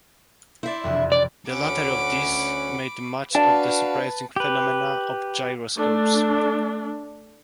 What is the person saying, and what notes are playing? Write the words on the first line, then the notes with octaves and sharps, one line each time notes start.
The latter of these made much of the surprising phenomena of gyroscopes.
E4 C5 D5 E5
E1 F2 C3
D5
D2 C#4 F#5 B5 D6
D4 F#4 B4 F5 A5
G4 B4
A3 D4